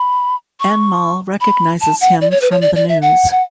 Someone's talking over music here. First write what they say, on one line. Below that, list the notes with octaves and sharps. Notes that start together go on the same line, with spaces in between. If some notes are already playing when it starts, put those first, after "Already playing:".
Anmol recognizes him from the news.
Already playing: B5
C#6
B5
A5
F#5
D5
C#5
B4
C#5
D5
D5
E5
F#5
F#5